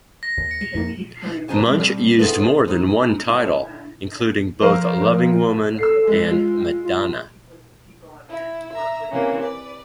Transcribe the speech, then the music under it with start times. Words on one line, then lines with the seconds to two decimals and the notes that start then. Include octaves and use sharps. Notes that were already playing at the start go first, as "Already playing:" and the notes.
Munch used more than one title, including both "Loving Woman" and "Madonna".
0.23 A#6
0.38 D#2
0.51 C#7
0.75 F2 A#3
1.48 C3 D4 D#4 C5 G#5 A5
1.65 B2 G3 C4
2.19 B3 E4 F4 G#4 A4 B4
2.68 D#4
3.29 E4
4.62 F3 A#4 C5 F5
5.79 A4 E6 C7
6.07 E3 G#3
6.30 G#3 F4
6.84 F4
8.30 E4
8.74 E5 A#5
9.11 C3 E3 A#3 C#4
9.42 B4 D5